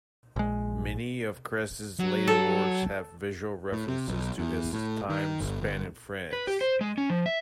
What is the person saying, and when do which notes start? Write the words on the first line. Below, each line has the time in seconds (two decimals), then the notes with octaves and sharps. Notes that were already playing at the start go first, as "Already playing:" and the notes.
Many of Cress's later works have visual references to his time spent in France.
0.36 A#1 G#3
2.00 F#3
2.27 A4
3.72 A2
3.88 C3
4.08 B1
4.39 E2
4.73 A2
5.09 D#3
5.41 G1
5.61 G1
6.33 B4
6.47 G4
6.61 C5
6.81 G#3
6.98 C#4
7.10 F3
7.26 E5